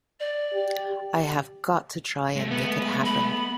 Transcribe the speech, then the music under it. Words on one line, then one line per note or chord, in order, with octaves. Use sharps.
I have got to try and make it happen.
D5
G4
G#3 A3
B3
B5